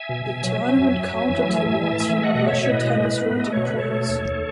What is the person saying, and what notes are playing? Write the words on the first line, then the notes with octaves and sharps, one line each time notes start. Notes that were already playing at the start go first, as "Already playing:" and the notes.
The tournament counted towards Universal Tennis Rating points.
Already playing: E5 G#5
B2
B2
F#3
F#3
F#2
F#2
F#3
E3
A3
A2
E3
A5
A3 E5 G#5
A3 G#5
D#5 F#5
B2 D#5
C#5 E5
B2
C#5
A2 B4 D#5
G#3
A2 B4
B3
A3 D#5
B2 C#5
B4
B2 A4 C#5
A3
D#2
D#2